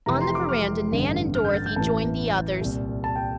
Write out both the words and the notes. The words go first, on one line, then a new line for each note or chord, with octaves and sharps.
On the veranda Nan and Dorothy joined the others.
F1 F2 C3 E3 A#5
C6
D6
F6
A1 G2 D3
F6
G6
A6
G6
A1 A2 E3 A5
C2 A#2
A5
G5